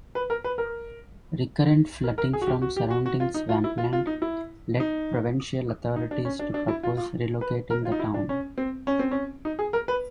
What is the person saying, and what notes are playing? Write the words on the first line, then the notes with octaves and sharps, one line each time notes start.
Recurrent flooding from surrounding swampland led provincial authorities to propose relocating the town.
B4
A#4
B4
A#4
A#4
A#4
G#4
F#4
G4
F#4
G4
F#4
F#4
F4
D#4
F4
E4
F4
F4
D#4
E4
D#4
D#4
D4
C#4
D4
D4
E4
F4
F4
B4
A#4
F4
D#4
E4
D4
C#4
C4
C#4
C4
C#4
D#4
G#4
A#4
B4